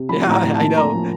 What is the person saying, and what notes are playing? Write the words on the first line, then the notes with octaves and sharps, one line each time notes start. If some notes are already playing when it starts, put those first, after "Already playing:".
Yeah, I I know.
Already playing: C3
F3 B5
A2
A#5
A2
A5
A#3
A2 A#5
F3